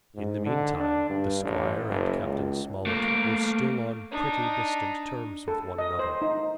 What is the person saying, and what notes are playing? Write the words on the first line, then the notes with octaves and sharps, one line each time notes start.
In the meantime, the squire and Captain Smollett were still on pretty distant terms with one another.
G#2
D3
D4
G2
A1
F#1
C#2
A3 A#3
D4 D#4
A4
D#5
C5
D#4